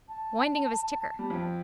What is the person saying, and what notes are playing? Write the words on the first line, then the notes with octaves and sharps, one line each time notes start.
Winding of his ticker.
A5
G3
F2 F3